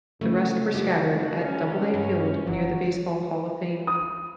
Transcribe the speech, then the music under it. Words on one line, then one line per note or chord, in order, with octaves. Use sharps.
The rest were scattered at Doubleday Field near the Baseball Hall of Fame.
C2 C#3 A3
F2 F#4 G4
C#2 C#4
G2
F#1 F#3
D#6